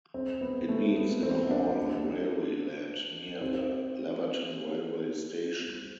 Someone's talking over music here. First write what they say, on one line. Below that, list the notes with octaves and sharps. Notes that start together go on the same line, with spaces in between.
It meets in a hall on railway land near the Laverton Railway Station.
C4
B3
A3
B3
C4
D4
C4